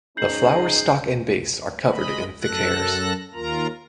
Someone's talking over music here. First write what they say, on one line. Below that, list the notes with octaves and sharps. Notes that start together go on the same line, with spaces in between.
The flower stalk and base are covered in thick hairs.
G#3 C#4 D#4 G6 C7 F#7
G#3 D#5 B5
F#2 A4 F#6 A#6
D#2 F4 A#4 A#5